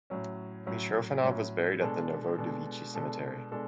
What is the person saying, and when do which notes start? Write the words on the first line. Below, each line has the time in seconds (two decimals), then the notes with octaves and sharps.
Mitrofanov was buried at the Novodevichy Cemetery.
0.10 A2 F#3 C#4
0.66 A2 F#3 C#4
1.23 A2 F#3 C#4
1.81 B2 G#3 D4 A4
2.38 B2 G#3 D4 A4
2.95 B2 G#3 D4 A4
3.51 B2 G#3 D4 A4